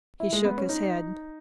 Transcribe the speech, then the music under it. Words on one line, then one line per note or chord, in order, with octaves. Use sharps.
He shook his head.
E4
G#3
B3
C#4
D#4